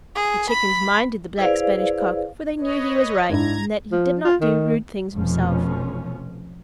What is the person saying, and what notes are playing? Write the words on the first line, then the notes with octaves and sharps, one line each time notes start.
The Chickens minded the Black Spanish Cock, for they knew he was right and that he did not do rude things himself.
G#4
B5
E4 G#4 B4 C5 D5 F5
B4 C#5 D#5
G#2 D4 E4 A#5 G#6
F3
F4
D#3
F1 F2 B2 F3 C#4